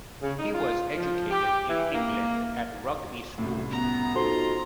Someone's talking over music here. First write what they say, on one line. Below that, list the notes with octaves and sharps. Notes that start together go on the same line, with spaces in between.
He was educated in England at Rugby School.
C#3
D#4
F4
F3
G4
E3
A#3
C2 F#2 A2
B3 A#5
D#4 F4 F#4 A4 C5 C6